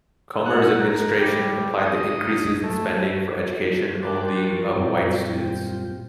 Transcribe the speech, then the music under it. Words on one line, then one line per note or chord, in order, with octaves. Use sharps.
Comer's administration applied the increases in spending for education only of white students.
F#5
A#4
G3
D#5
A3
A#4 G5 C6 D6 F#6 A6
F3 F4 A#4 A#5 C#6 A6
F#2 A#2 G3 C4 F4 G5